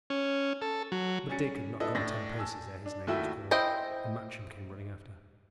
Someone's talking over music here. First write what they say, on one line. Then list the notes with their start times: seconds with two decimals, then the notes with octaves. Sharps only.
But Dick had not gone ten paces ere his name was called, and Matcham came running after.
0.10 C#4
0.62 A4
0.92 F#3
1.28 G3 C#4 A6 C#7
1.80 D4 E4 A4 B4 D#5
1.95 A2 D4 A6 A#6
2.39 G#5 A5 E6
2.86 D4
3.07 D#2 A3 E4 F#4 E5
3.51 E4 C5 D#5 G5